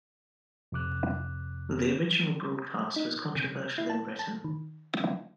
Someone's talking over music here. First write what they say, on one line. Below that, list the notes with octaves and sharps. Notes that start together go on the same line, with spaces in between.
The original broadcast was controversial in Britain.
F2 C3 D6 F#6
D#4
C3
E4
A5
A5
D#3